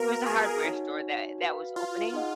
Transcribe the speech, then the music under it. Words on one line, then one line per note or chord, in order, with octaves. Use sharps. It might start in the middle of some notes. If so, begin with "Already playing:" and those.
It was a hardware store that that was opening.
Already playing: B3 F#4 A#4 B4 F5
G#4
D#4 F#4 C#5 G#5
F#4 B4 F5
F4
D#4 G#4 D#5 F#5